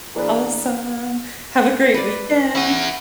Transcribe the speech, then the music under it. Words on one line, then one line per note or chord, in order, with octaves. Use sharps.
Awesome, have a great weekend.
E3 A#3 D4 G#4 B4
B4 D5
E4 F#5 C#6